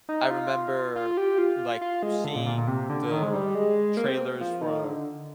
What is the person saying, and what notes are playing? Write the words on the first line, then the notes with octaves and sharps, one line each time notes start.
I remember, like, seeing the trailers for
D#4
F4
F4
G4
F4
F4
G#3
D3
A#2
A#2
A#2
C3
D3
D#3
G#3
G3
G#3
A#3
C4
F3
D#3
D3